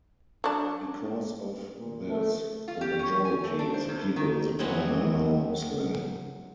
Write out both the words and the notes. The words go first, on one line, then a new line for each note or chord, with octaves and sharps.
Because of this, the majority of the people in the town are now Muslim.
F#3 D4
A#2
A3
F4
G4
C#4
G#5
A3
D4
C5
E2
D#3
F#3 B3 C4 D#4 E4 G#4